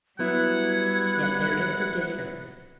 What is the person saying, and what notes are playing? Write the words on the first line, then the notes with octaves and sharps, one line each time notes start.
Yet there is a difference.
F#3 G3 B3 E4 F#5 G#6